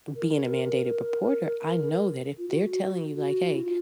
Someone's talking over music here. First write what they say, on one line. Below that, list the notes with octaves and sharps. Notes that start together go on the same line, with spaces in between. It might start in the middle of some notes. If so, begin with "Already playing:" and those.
b being a mandated reporter, I know that if they're telling you, like, "Hey,
A#4
F4
F#4
F#4
F#4
E4
F4